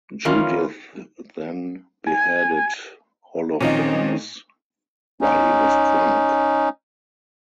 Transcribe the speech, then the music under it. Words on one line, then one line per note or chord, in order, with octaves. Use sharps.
Judith then beheaded Holofernes while he was drunk.
D#3 E3 A#3 C#4 F4
G#5
A#2 D#3 F3 C4 C#4 D#4
C#4 D#4